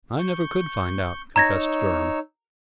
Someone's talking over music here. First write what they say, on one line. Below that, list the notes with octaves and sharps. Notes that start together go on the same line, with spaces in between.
"I never could find out," confessed Durham.
C#6 G6
D#4 C#5 A#5 E6 G#6 A#6